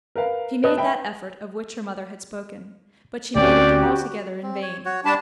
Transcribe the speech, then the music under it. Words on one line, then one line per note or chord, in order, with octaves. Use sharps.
She made that effort of which her mother had spoken, but she made it altogether in vain.
A#4 B4 F5
B4 D#5 A5 D#6
E5 G5 B5
D2 A3 C4 C#4 F#4 G4 D5
C4
C#5
F#4 C#5
G3 D4 A5 B5